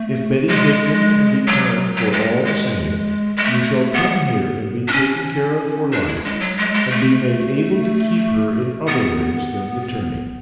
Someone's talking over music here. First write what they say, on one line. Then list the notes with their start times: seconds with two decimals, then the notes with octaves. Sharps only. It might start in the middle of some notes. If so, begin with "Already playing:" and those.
If Betty Higden can be turned for all the same, you shall come here and be taken care of for life, and be made able to keep her in other ways than the turning.'
Already playing: A3
0.48 G#3
1.47 F#3
1.96 F#3
2.12 G#3
2.45 G#3
3.37 G#3
3.44 A3
3.94 B3
4.88 D4
4.93 C#4
5.92 D4
6.08 E4
6.24 G#3
6.41 F#3
6.57 G#3
6.74 G#3
6.90 A3
8.87 B3